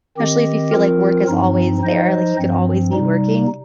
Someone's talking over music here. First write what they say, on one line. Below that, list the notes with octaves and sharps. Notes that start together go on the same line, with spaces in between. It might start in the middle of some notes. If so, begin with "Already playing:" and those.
especially if you feel like work is always there, like, you could always be working.
D#3 C4 G4 D#5
F3 C4 F4 A#4
G2 F3 C4 D#4
F3 D#4 C5 D#5
G2 F3 C4
C3 G3 D#4